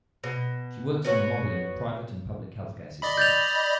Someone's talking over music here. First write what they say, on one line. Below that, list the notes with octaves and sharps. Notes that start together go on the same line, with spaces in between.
She works on the modelling of private and public healthcare systems.
B2
B3 F#4 C#5
D5 D#5 B5
G6 A6 F7